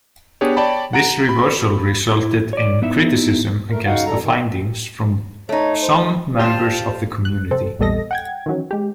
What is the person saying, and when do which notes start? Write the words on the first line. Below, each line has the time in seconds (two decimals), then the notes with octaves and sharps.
This reversal resulted in criticism against the findings from some members of the community.
0.41 B3 D4 G4 G#4 C#5
0.57 C#5 D5 G5 A5 B5
0.93 F#5 A#5 D7
1.29 B5
2.12 E4
2.53 C#5 D5
2.82 B3 D#4 E4 E5
3.70 A3 A#4
3.86 C#3 D#4 F#4 F5 F#5
4.06 F#2 A#2 G3 A4 A#5
4.21 C3 D#3
5.49 A3 D#4 C#5
5.81 C5
6.40 F4 G4 C5 A5
7.25 F#6
7.51 C3 C4 A4
7.79 A#1 E2 G3 A4 D#5 A#6
8.11 F#5 G5 G#6
8.46 D#3 E3 F#3 C#4
8.71 G#3 G4